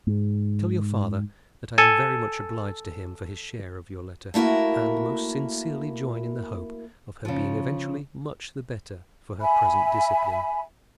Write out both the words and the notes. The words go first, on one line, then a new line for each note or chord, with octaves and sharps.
Tell your father that I am very much obliged to him for his share of your letter, and most sincerely join in the hope of her being eventually much the better for her present discipline.
G#2
A4 G#5
A3 A#3 E4 F#4 A#4
C#3 F3
E5 G#5 B5